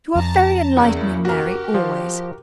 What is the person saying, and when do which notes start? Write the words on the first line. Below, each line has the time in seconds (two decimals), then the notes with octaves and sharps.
You are very enlightening, Mary, always.
0.15 F2 A5 A#5
0.77 E2 C#3 A#3 E4
1.25 F#4 G4 A#4
1.74 F3